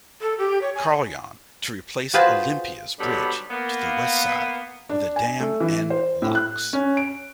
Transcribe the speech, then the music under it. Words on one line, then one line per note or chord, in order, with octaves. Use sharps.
Carlyon to replace Olympia's bridge to the westside with a dam and locks.
A4
G4
C#5
G#5
F4 F#4 G#4 B4 C5 A5
G#2 B2 D3 F#3 G3
A#3 B3
D4
G#5
A3
E3
C5
A2
F#6
C#4
D7